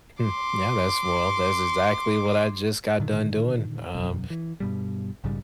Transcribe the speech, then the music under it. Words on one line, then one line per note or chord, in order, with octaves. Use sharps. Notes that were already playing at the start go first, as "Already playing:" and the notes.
Mm, yeah, that's well, that's exactly what I just got done doing, um,
C6 D6
A#2 D3 D#3
E1 B1 F#2
E3
G2 B2 G3
A#1 G#2 C#3 G3